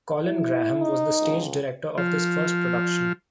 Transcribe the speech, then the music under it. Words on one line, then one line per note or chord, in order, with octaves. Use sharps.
Colin Graham was the stage director of this first production.
E4
D#4
C#2
F3